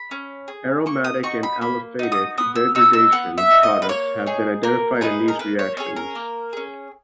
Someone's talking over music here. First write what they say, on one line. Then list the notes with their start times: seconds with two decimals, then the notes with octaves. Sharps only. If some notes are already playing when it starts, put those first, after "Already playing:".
Aromatic and aliphatic degradation products have been identified in these reactions.
Already playing: B5
0.11 C#4
0.48 G#4
0.86 A#3 C#6
1.04 D#6
1.23 D#4 F#4 C#6
1.43 B5
1.61 A#3 B5
1.99 D#4 F#4
2.12 D#6
2.38 B3 D#6
2.56 E6
2.75 D#4 F#4 E6
2.93 E6
3.12 B3 F#5
3.38 E5
3.51 D#4 F#4
3.63 D#5
3.82 B4
3.89 A#3 C#5
4.26 D#4 G#4
4.63 A#3 A#4
5.01 D#4 G#4 B4
5.28 A#4
5.39 A#3 B4
5.59 C#5
5.77 C#4 G#4 C#5
5.96 A#4
6.15 A#3
6.53 C#4 G#4